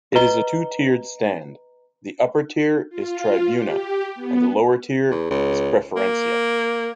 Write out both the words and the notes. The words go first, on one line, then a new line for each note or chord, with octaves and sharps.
It is a two-tiered stand; The upper-tier is "Tribuna" and lower-tier is "Preferencia".
B4 D#5 A#5 G7
F4
G4
B3
E2
C#2
A#3